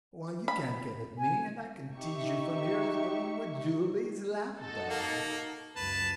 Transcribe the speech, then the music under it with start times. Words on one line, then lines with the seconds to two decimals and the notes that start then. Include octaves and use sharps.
Why, you can't get at me, and I can tease you from here as though you were Julie's lapdog.
0.48 B5
1.18 G#5
1.95 D#4 G4 E5 C#6
4.59 D#4 F#4 A4
4.90 A#3
5.76 C#2 F#2 B4 A5